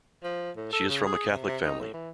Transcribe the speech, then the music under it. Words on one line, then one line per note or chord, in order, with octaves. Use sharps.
She is from a Catholic family.
F3
A2
A4
C#3
G#4
C3
C3
D#4
A2
E3